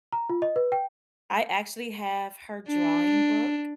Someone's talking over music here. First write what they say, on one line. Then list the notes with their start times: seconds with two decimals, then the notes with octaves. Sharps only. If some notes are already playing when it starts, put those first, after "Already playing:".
I actually have her drawing book.
0.12 A#5
0.30 F4
0.42 D#5
0.56 B4
0.72 G5
2.68 D4